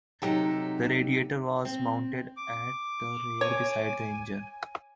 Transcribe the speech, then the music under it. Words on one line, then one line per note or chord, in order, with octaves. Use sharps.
The radiator was mounted at the rear beside the engine.
C3 F#3 D#4 G4 A4
C4
D6
C#5 G#5